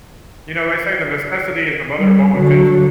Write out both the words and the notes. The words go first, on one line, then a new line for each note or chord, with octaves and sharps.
You know, they say that necessity is the mother of all invention.
G3
D3 F#3